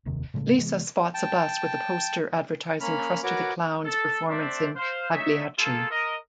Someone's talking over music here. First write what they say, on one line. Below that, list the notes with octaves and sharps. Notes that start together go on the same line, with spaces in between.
Lisa spots a bus with a poster advertising Krusty the Clown's performance in "Pagliacci".
F1 D#2 C3 D#3
A2 C#3 G#3 A3
C3 E3 G#3 B3
G5 A5
A#3 C#4 B5 F6
F#4 A#4 B4 C#5 D6
A4
A3 C4 D4 C5 D5 E5
C5 F5
A3 D#4 C#5 E5
A#3 F4 G#4 A4
A#4 D#5